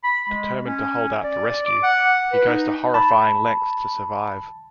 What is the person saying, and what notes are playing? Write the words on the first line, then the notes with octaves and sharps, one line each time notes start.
Determined to hold out for rescue, he goes to horrifying lengths to survive.
B5
G#3
C#4
D5
D6
F#5
B4
D#4
A5 B5